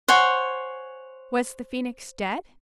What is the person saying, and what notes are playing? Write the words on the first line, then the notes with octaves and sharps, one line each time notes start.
Was the Phoenix dead?
C5 C#5 F#5 G#5